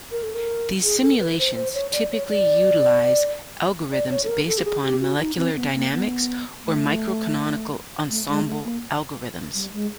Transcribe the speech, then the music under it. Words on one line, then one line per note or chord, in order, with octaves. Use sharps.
These simulations typically utilize algorithms based upon molecular dynamics or microcanonical ensemble algorithms.
A#4
A4
A#4
G#4
A4
B4
B4
C5
C5
C#5
D5
C#5
D5
D5
C#5
A4
A#4
A4
G4
G#4
G4
F#4
D#4
C4
B3
A#3
B3
A3
A3
G#3
A3
A#3
G3
G#3